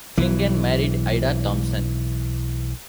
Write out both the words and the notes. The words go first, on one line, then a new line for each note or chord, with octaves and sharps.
Clingan married Ida Thompson.
B1 E3